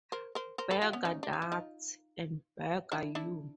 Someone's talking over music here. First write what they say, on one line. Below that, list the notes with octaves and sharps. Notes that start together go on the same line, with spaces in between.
Bugger that and bugger you.
A#4 C5
A#4 C5
A#4 C5
A4 B4
F4 G4
B3 C#4
C#4 D#4
D4
D#4
E4
D#4 F4
D4 E4
D4 E4